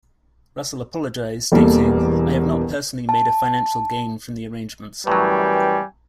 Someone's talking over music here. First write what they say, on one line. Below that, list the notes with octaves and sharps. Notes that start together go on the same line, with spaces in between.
Russell apologised, stating: I have not personally made a financial gain from the arrangements.
E1 E2 G3 A#3 A4
A5
F#2 A2 E3 F#3 G3 B4 G5 G#5